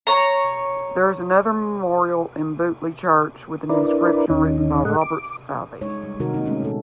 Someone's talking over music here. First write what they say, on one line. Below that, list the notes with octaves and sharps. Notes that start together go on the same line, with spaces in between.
There is another memorial in Butleigh Church with an inscription written by Robert Southey.
C#5 A#5
D4 E4 A#4 B4 D5
D#2 D#3 C#4 D#4
A2 G#3 A4 D#5 F#5
D6
G#3 D#4 C#5
G3
C3 D#3 G3 D#4 F#4 A#4
A#3 D#4
G#3 A3 C#4
A#2 A4